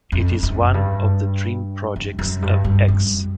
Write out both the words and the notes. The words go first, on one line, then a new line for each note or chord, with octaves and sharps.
It is one of the dream projects of Ex.
F2
F#2
G2
F#2
F#2
G2
G2
F#2